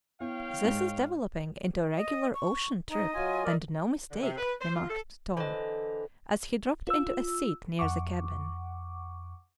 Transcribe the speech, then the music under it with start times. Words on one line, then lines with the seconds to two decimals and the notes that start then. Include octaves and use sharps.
"This is developing into a regular ocean trip and no mistake," remarked Tom, as he dropped into a seat near the cabin.
0.20 B3 E4 C#5 F5 G5
0.63 G#2 G#3 D#4
1.95 D#5
2.34 C#6
2.90 D#4 D#5
3.14 F#3 F4 G#5
3.44 A#4 D5
4.11 D3
4.23 C3
4.38 B4
4.60 C5
4.76 F4
4.90 A4
5.37 D3 E3 C5 D#5
6.88 F4 E6
7.79 F2 F#5 C#6 D6